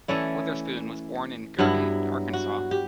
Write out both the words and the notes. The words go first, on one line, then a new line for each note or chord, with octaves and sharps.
Witherspoon was born in Gurdon, Arkansas.
E3 A3 C#4 E4 D5
G2 F#3 B3 E4
F#4
G4